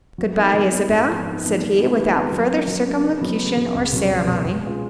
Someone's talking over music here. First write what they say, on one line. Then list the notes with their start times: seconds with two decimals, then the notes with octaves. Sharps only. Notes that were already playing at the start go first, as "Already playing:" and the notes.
"Good-bye, Isabel," said he, without further circumlocution or ceremony.
0.18 F#3
0.36 B3 D#4 A#4
0.54 F#3
0.72 B3 D#4 A#4
0.89 G#2
1.07 F3 B3 D#4
1.25 G#2
1.44 F3 B3 D#4
1.61 D#3
1.79 G#3 B3 F4 B4
1.97 D#3
2.14 G#3 B3 F4 B4
2.32 F#3
2.50 A#3 C#4
2.68 F#3
2.85 A#3 C#4
3.03 C#3
3.21 F#3 B3
3.38 C#3
3.56 F#3 B3
3.74 C#2
3.92 B2 F#3 C#4
4.10 C#2
4.28 B2 F#3 C#4
4.45 B2
4.63 G#3 C#4 F4